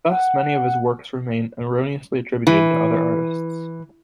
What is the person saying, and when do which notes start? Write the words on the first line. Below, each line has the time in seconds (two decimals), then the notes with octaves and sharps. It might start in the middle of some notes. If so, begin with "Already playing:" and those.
Thus, many of his works remain erroneously attributed to other artists.
0.09 F#5
2.47 E3